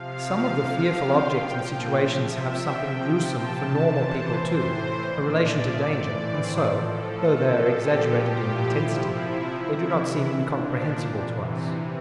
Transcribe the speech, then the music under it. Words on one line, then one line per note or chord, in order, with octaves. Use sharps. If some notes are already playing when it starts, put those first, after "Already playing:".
Some of the fearful objects and situations have something gruesome for normal people too, a relation to danger, and so, though they are exaggerated in intensity, they do not seem incomprehensible to us.
Already playing: C3 F3 F5
C3 F3
G5
A#2
F3
G5
C3 F3 E5
G5
C3 F3
A5
C3 E3
C5
A2 E3 C5
A#2 F3 D5
E5
A2 E3 D5
C5
A2 F3 A4
A4
A#2 F3
G4
A#2 F3 G4
E4
C3 F3 E4
C3 E3 E4
A#2 F3 D4
C3 E3